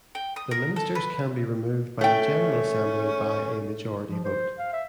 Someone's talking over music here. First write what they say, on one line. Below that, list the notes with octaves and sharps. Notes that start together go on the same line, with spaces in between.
The ministers can be removed by the General Assembly by a majority vote.
G5
D#6
A#4
A4
B4
A3 C#4 G5
F3
C5
F5
E5